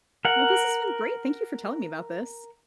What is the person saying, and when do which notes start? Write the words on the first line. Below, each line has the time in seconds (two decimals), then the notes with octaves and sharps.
Well, this has been great. Thank you for telling me about this.
0.25 A#4 F#5